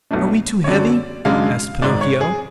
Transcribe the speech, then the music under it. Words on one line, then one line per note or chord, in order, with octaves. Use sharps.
"Are we too heavy?" asked Pinocchio.
B1 B2 F#3 A3 D4
C#5
F#2 D3 F#3 C#4 D5
G#1 F#2 C#3 G#3 D4 F5
G#1 G#2 G#3 D5
C#5
G#4